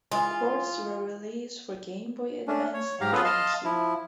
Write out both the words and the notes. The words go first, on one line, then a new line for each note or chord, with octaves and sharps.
Ports were released for Game Boy Advance and GameCube.
E3 G#3 F4
A3 C#4 D4
C#5
G#2 G4 F5 A#5
B3 C#4 F4 G#4 A4 B4
D#5 F5 A5 C6
F3 E4